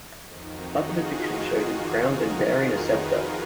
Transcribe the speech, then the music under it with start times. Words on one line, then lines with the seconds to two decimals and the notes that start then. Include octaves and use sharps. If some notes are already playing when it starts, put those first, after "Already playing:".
Other depictions show him crowned and bearing a scepter.
0.19 F2 D#3
0.50 D#4 F#4
0.81 F4 G#4
1.12 D#4 F#4
2.06 F#4 A#4
2.37 F#4 A#4
2.68 G#4 B4